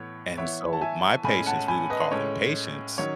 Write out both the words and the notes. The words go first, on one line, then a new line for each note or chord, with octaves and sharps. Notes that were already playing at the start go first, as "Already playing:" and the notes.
and so my patients, we would call them patients,
Already playing: A2 E3 B3 C#5
E3 B3 C#5 E5
A5
E5 G#5
A2 G#3 C#4 G#5 B5
F#5 A5
G#5 B5
B4 D#5
A2 G#3 C#4 C#5
D#3 F#3 C#4 C#5